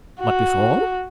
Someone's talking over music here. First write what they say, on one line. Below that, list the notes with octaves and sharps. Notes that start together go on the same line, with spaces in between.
"But before--?"
F#4